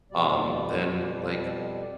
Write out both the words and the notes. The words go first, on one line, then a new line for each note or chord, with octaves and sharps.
um, then, like
F2 B2 G3 D5